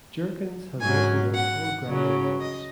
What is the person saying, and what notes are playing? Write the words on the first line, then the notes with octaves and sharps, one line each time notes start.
Jerkins has also won four Grammy Awards.
G#2 F#3 C#4 G#5
F#5
C#3 F#3 C#4
D#5